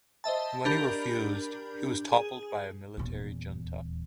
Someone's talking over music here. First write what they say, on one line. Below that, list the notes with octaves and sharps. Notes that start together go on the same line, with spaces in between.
When he refused, he was toppled by a military junta.
C5 D#5 E5 A5
D4 G4 A#4 B5 G6
G#4
D#1 E2